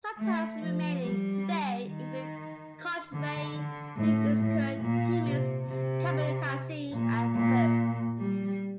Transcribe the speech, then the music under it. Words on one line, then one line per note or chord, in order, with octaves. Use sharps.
Some towns still remaining today include Cochrane, New Liskeard, Timmins, Kapuskasing, and Hearst.
A3
F3
G3
D#3
D3
D3
A2
A2
A#2
C3
C3
A#2
A#2
G3